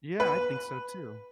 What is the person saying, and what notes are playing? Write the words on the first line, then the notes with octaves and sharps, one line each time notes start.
Yeah, I think so too.
B4